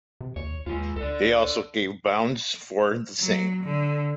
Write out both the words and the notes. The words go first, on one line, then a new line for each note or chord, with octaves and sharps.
They also gave bounds for the same.
C3
D#2 C#5
D#2 G#3 F4
D2 A4 D5
F#3
D3